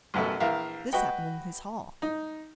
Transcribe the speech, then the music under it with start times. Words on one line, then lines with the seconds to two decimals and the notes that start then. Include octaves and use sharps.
This happened in his hall.
0.14 A1 F#2 B2 A4
0.40 A#1 E3 A#4 E5 F5
0.93 F#4 B4 D#5 G5
2.02 D#4